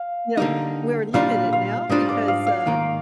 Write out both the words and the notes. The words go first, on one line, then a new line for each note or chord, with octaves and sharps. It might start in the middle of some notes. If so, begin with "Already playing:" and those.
you know, we're limited now because, uh,
Already playing: F5
D3 G3 A#3 D#4
A#2 G3 D4 F4 F5
F5
G#2 G3 D4 F4 D#5
D5
F5
F5
G#2 D#3 A#3